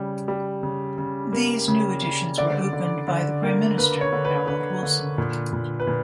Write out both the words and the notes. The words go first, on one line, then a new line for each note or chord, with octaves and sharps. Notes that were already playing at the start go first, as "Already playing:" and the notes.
These new additions were opened by the Prime Minister, Harold Wilson.
Already playing: C#3 G3
G3
C#3
C#3
A#3
C#3
C#3
D3 D5
D3
D3
A#3
A#3 B4
C#5
D3
B4
D3 B4
D3
A#2
A#2
B4
A#2